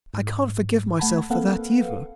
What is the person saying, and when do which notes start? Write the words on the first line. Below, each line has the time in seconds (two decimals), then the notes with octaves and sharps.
I can't forgive myself for that, either.
0.14 G#2
0.98 A3 F#5 A5 B5 G#6
1.30 A#3 C4 A4 B4 F5 F#5